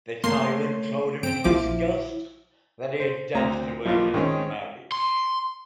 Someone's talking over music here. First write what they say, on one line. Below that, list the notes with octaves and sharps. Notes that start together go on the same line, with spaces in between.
The tyrant told him in disgust that he had danced away his marriage.
A3 A#3 C#5 C6
C4 C5 D7
A#1 F3 E4 D6
C5
D2 C4 A#5
B1 F3 A#3 F4
D#3 G#3 C4 C#4 G#4
C6